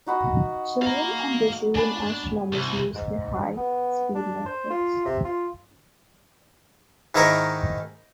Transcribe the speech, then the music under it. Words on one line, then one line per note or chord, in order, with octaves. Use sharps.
Chilean and Brazilian astronomers use their high-speed networks.
D#4 F#4 B5
F5 A#5
D4 G#5 B5
C2
G#2
B3
D4
C5
F4
C3
F4
G#2 D#3 D#4 E4 A#4 C#6